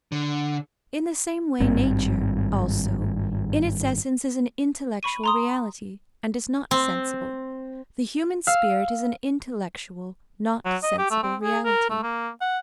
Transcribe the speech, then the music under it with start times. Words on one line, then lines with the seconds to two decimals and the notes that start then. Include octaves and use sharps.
In the same way, nature, also, in its essence is an intellectual reality and is not sensible; the human spirit is an intellectual, not sensible reality.
0.12 D3
1.60 G#1 G2 C4
5.03 B5 C#6 D#7
5.24 A#5 C6 D#6
6.71 C4
8.47 F5 E6
10.65 F#3
10.83 D#5
10.98 G4
11.11 A3
11.23 C4
11.43 G#4
11.65 A#4
11.90 A3
12.03 A#3
12.41 F#5